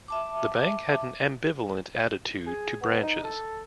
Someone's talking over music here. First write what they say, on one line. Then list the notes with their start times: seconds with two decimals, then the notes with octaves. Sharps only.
The Bank had an ambivalent attitude to branches.
0.08 E5 A5 D6
2.47 G#4
2.82 B3
3.03 D#4
3.24 A4